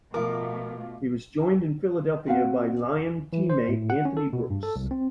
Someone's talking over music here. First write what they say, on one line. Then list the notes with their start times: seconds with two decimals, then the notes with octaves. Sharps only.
He was joined in Philadelphia by Lion teammate Anthony Brooks.
0.14 B2 F3 A3 F4 A#4 D6
2.26 C4 F#4 F5 F#5
3.33 E3
3.50 C5
3.69 A2
3.90 F#5
4.05 C#4
4.17 A4
4.33 B2
4.50 G2
4.63 A4
4.76 C2
4.91 C4